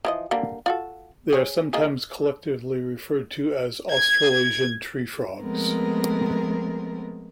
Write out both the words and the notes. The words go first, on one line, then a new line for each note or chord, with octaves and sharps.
They are sometimes collectively referred to as Australasian treefrogs.
E3 F3 D#5
D3 G3 A#3
F4 F#4 A4
G#4 C#5
D#3 A#3 G#4
G#6
F3 G#3 A3 B3 C4 A#4